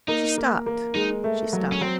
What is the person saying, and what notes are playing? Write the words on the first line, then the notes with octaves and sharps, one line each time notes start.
She stopped, she stopped.
A#3 D#4
A#3
A#3
G#3 D#4
A3
F#3
C#4
F#3 C4